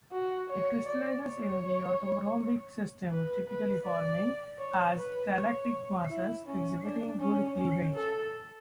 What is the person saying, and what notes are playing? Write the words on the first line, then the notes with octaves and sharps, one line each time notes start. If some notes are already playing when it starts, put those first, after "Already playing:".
It crystallizes in the orthorhombic system typically forming as stalactitic masses exhibiting good cleavage.
F#4
C#5
D5
C#5
B4
B4
D5
C#5
B4
C#5
E4
C#4
D4
C#4
C#4
A4